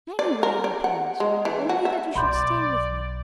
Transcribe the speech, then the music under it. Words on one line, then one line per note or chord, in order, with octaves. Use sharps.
"Anywhere you please, only that you should stay with me."
D5
A#4
D5
F#5
G#3
E3
F#4
E5
B1 D5 B5 C6 G6